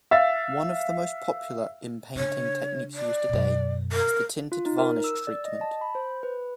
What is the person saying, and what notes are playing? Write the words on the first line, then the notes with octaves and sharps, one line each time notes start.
One of the most popular inpainting techniques used today is the Tinted Varnish Treatment.
E5 F5 A6
C#3 D4 C#5
D5
F#2 B2
A#4
F4
D#4
A#4
E6
D5
D#5
A5
B5
C5
B4